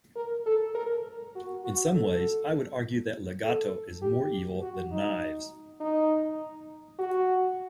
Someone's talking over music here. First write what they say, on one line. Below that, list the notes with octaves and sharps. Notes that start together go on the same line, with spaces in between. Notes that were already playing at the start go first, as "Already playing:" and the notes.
In some ways, I would argue that Legato is more evil than Knives.
A#4
A4
A#4
F#4
F#4
A4
A4
G4
F#4
D#4
D#4
F#4